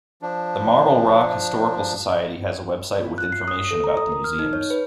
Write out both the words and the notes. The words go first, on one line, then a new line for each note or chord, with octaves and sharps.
The Marble Rock Historical Society has a website with information about the museums.
F3 D4
F4
F#6
C7
D#6
A4
A#5
D#6
A#4
F6
D#4
C#5
B4